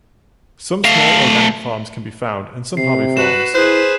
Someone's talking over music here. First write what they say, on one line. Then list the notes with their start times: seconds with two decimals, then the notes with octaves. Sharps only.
Some small organic farms can be found and some hobby farms.
0.84 A3 F5
2.77 C3 C7
3.17 F#4 B4 E7
3.55 E4 G#4 B4 C5 F#6